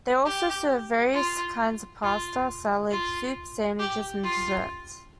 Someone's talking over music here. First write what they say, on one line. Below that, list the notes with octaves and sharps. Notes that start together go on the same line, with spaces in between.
They also serve various kinds of pasta, salads, soups, sandwiches and desserts.
G4
F4
F4
F4
G4
F4